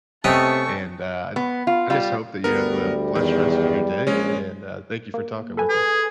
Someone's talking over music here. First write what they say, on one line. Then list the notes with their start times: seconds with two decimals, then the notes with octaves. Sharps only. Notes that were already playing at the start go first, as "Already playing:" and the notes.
And, uh, I I just hope that you have a blessed rest of your day and, uh, thank you for talking with me.
0.24 C3 A3 B3 C#4 D#5 G5 A5 C#6
1.36 B3
1.67 F4
1.90 G3 F4
2.44 D2 G3 B3 A#4
3.15 E2 D#3
4.07 A#1 G#3 C#4 C#5
5.14 A#3
5.57 A4 B4 G#5
5.69 G#4